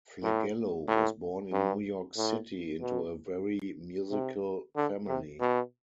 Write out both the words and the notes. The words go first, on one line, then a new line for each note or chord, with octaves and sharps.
Flagello was born in New York City, into a very musical family.
A2
A2
G2
A2
B2
C3
D3
C3
B2